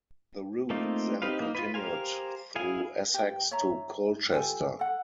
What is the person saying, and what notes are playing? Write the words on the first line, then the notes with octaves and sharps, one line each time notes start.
The route then continued through Essex to Colchester.
A3 A#3 C4 D#4 F4
C4 D#4 G4 B4 F5
A#3 D#4
F4 B4
G4 A#4 C5 F5 G#5
E4 G#4 F5 G#5
G4 G5
C#5 E5 A#5
F4 G4 A4 G#5
A4 F#5